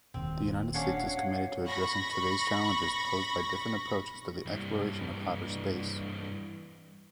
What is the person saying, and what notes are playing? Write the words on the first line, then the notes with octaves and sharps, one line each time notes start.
The United States is committed to addressing today’s challenges posed by different approaches to the exploration of outer space.
D#1 D#2 A#2 C4
C#4 D4 F#4 C#5 F5 F#5
B5 C#6 A#6
G2 E3